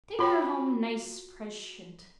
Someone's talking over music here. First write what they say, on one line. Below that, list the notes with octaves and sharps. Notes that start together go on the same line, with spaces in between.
Take her home nice preshent.
F4 F#4 C#5 G5 B5